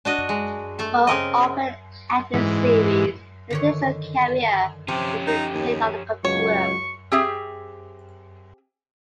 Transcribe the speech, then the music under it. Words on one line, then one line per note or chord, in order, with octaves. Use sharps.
For an open ended series, the digital carrier is retained on the computer.
D4 F#4 D#5
G#3
A3 A4
C#3 C4 A#4 D#5
G#2 E3
D3 D#3 C#5
C3 F3 C#4 G4
D#4
D#2
C#2 F#3 C#5 C#6
C4 G4 G#4 E5